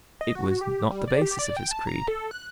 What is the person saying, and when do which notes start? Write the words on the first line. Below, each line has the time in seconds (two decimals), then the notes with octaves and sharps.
It was not the basis of his creed.
0.21 D#5
0.35 F#4
0.61 G4
0.91 G3
1.08 D5
1.22 G4
1.39 D5
1.57 G5
1.71 A5
1.87 A#5
2.08 A4
2.31 F#6